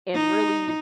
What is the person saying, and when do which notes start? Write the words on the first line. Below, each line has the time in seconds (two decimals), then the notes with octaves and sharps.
and really,
0.15 D#4